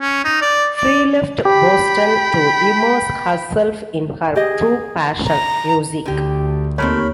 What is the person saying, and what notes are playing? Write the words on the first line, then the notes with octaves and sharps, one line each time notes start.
Free left Boston to immerse herself in her true passion: music.
C#4
D#4
D5
D5
G4 G5 B5
G4 G#4 D#5
A#5
D2 D3 G4
D#2 A3 A#3 C4 A#4 C#5 B5